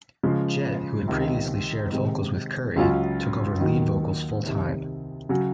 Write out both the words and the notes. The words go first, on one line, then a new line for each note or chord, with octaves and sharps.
Jett, who had previously shared vocals with Currie, took over lead vocals full-time.
C#3 F3 G#3
C#2 C3 D#3
C3 D#3 G#3 C4 D#4
C#2 C#3 F#3 C#4 F4
D#2 D#3 F#3
C2 C3 D#3
C#3 F#3